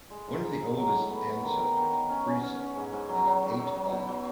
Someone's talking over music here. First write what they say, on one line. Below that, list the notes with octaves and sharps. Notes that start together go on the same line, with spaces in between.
One of the oldest ancestors of FreeCell is Eight Off.
G#3
G#2
G#2
G#2
F#3
A2
B3
B3
D#3
D#3
D#3
D#3
C#4
C#4
C#4
C#4
G#2
G#2
F#3
F#3
F#3
D#4
F#3
B2
F#3